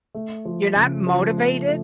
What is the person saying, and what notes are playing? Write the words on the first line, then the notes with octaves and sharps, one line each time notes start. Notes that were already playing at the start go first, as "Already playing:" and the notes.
you're not motivated?
A3
F3
C#3
F3
A3
A3